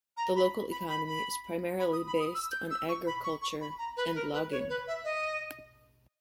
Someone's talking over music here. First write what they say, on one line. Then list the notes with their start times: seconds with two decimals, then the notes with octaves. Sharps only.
The local economy is primarily based on agriculture and logging.
0.17 A#5
0.36 B5
0.71 B5
0.89 B5
1.08 B5
1.79 B5
1.93 D#6
2.07 B5
2.20 D#6
2.35 E6
2.52 G6
2.71 E6
2.89 C#6
3.07 B5
3.24 C#6
3.42 C#6
3.61 B5
3.79 A#5
3.97 B4
4.15 A#4
4.33 B4
4.51 C#5
4.69 B4
4.88 E5
5.04 D#5